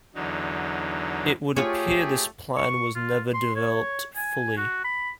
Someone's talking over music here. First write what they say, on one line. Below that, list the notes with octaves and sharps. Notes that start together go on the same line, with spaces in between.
It would appear this plan was never developed fully.
E2 D3 F#3 D#4
A3 F4 G4 G#4 C#5
C#6
F4
C6
C#5
G#5
F#4
B5